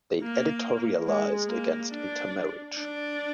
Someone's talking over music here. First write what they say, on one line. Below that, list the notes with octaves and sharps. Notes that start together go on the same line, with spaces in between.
They editorialized against intermarriage.
A#3
G#3
A#3
D4
D4